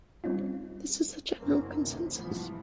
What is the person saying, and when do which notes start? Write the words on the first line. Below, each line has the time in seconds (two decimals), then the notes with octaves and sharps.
This is the general consensus.
0.24 G3 C4 C#4 D#4 F4
1.38 F#1 F#2 A#3 C4
1.79 D2 A2 C3 D#3
2.13 F1 C2 G#2 E3 F3 B3